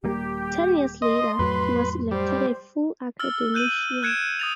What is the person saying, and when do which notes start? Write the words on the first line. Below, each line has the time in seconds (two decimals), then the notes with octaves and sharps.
Ten years later, he was elected a full academician.
0.04 D#1 G3 A#3 G4
1.02 D#5 C6
1.39 F2 A2 F#3 B4
2.11 G3 C5
3.20 E6 F6 A6 G7
3.54 F#6 G6 D#7 F#7
4.03 F#6 G#6 C#7 D7 E7
4.40 D#6 A6 F7